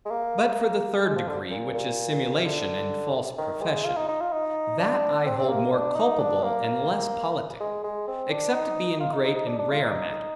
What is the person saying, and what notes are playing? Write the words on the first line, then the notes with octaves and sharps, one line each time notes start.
But for the third degree, which is simulation, and false profession; that I hold more culpable, and less politic; except it be in great and rare matters.
G#3
A#3
G#3
F3
D3
A#2
A#2
C3
D3
D#3
G#3
F4
D#4
D#4
F4
D#4
D4
C4
C4
A#3
D4
D#4
D4
A#3
G#3
G#3
C4
D4
D#4
F4
D#4
D#4
D#4
D4
D4
F4
D#4